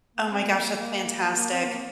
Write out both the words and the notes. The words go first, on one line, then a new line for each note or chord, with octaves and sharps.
Oh my gosh, that's fantastic.
A#3
C4
A#3
A#3
A#3
C4
A#3